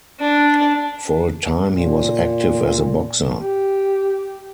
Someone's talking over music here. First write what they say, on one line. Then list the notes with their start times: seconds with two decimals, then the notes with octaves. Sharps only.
For a time, he was active as a boxer.
0.20 D4
1.71 A#2
3.39 G4